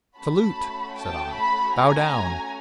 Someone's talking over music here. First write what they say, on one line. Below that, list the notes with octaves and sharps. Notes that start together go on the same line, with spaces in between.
"Salute!" said I. "Bow down!"
A3 C#4 F#4 A5 B5
G5 A5
A5 B5
G#5 A#5